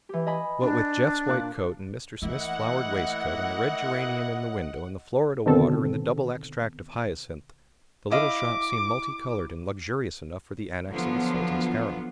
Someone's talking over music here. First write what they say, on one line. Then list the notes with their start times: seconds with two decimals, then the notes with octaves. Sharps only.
What with Jeff's white coat and Mr. Smith's flowered waistcoat and the red geranium in the window and the Florida water and the double extract of hyacinth, the little shop seemed multi-coloured and luxurious enough for the annex of a Sultan's harem.
0.09 E3 G4
0.27 D#5 G#5 B5
0.62 D4
1.28 A#2 D6 F#6
2.22 E3 A3 A#3 E4 D#5 F#5
5.46 B2 D3 D#3 C4 A4
8.11 E4 D#5 F5 D6
10.92 D3 F3 F#3 B3 F4